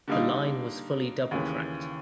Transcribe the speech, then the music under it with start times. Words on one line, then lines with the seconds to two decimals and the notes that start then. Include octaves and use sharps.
The line was fully double-tracked.
0.08 D3 G3 A#3 D#4
1.31 D#2 C#3 E3